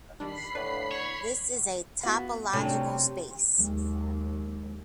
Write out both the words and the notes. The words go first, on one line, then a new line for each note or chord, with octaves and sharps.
This is a topological space.
D#3 G3 D4 B5 C7
A2 D3 D4 B4
C#5
B3 F#4 F5
C3 F#3 A3 C#4 D4
D#2 F#3 G#3